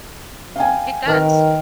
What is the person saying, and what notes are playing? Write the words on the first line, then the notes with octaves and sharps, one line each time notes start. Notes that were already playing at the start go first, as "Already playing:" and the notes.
It does.
F5 G5 G#5
D#3 A#4 B4 F6